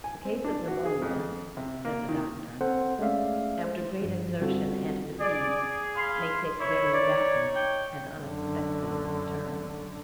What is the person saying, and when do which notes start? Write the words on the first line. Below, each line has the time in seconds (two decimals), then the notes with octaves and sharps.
"A case of pneumonia," said the doctor, "after great exertion and fatigue, may take very rapid and unexpected turns."
0.04 G#5
0.25 C4
0.44 D4
0.68 F#4
0.86 G#4
1.02 F2
1.57 C3
1.85 A#3
2.09 D#3
2.61 C4 A4 C5 F#5
2.99 G#3 A3 C#4 D5 E5 F5
3.64 C5
4.02 G2 F3
4.40 D3 G3 C4 F4 F#4 A4
5.20 G#4 D5
5.96 F5 B5 C6
6.60 D#4 E4 C#5
6.93 D5
7.56 G5
8.21 F#2 D3